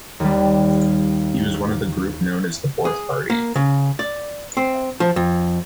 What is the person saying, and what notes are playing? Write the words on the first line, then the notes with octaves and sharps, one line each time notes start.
He was one of the group known as the Fourth Party.
D#2 G3
G#4
A#3
C#3
D5
C4
F3
F2